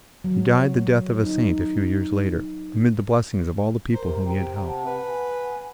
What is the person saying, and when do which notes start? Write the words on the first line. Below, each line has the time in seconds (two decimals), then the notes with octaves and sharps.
He died the death of a saint a few years later, amid the blessings of all the people whom he had helped.
0.24 F#3
1.23 D#4
3.94 A#4 C5 A#5
4.06 C3
4.28 G4 G5 A#5
4.66 F#5 A5
4.86 B4
5.06 F#5 G#5